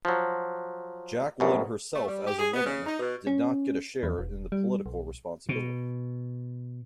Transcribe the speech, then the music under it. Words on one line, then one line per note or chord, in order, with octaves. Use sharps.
Jacqueline herself as a woman, did not get a share in the political responsibility.
F3 F#3
A#1 F#2 B2
A3
G3
G4
G#4
B3
C#3
D#4
B2
C#4
E2
E1
G3
B1
B2